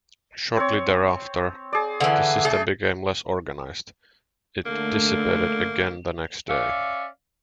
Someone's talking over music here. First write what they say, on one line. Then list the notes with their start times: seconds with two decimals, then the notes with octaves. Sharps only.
Shortly thereafter, the system became less organized; it dissipated again the next day.
0.57 C4 C#5
1.73 G#4 D5
2.00 D3 E3
2.45 A3 G#4
4.66 D3 A3 A#3
6.49 C#4 D5 E5 F5